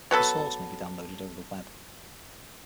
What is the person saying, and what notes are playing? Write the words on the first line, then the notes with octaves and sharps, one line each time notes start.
The source may be downloaded over the web.
F#3 B3 A4 B4